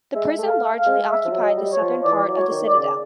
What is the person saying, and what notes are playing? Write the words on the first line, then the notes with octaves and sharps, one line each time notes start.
The prison largely occupied the southern part of the citadel.
G#3 E5
A3
F5
F5
G#3
E5
F3
F#3
D#5
G3
C#5
F3
E3 D5
F#3
C#5
D#3
D5
C#3